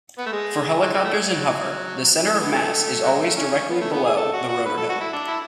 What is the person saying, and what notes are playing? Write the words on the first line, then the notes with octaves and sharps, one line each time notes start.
For helicopters in hover, the center of mass is always directly below the rotorhead.
B3
A3
G#3
F#3
F#3
A3
F#3
A3
B3
D3 F#3 A3
F#3
G#3
A3
C#4
C#4
B3
A3
B3
G#4
A4
F#4
F#4
B4
A4
F#4
E4
D4
E4